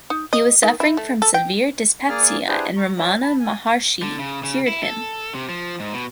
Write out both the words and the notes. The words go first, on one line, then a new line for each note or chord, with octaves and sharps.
He was suffering from severe dyspepsia and Ramana Maharshi cured him.
D#4
D#5
D#3
E4
A3
A4
G5
A#3 G#4 D5 F6
D4 E4 G4 G#4 B4 C5
A#5 C#6
C#5 D5 E5 G5 A5 A#5
A5 B5
G#5
D3
C#3
C#3
E4
A4
C3
F3
G#2
B2